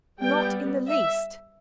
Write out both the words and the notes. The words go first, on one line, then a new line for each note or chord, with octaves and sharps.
"Not in the least."
G3 B3 G5
E5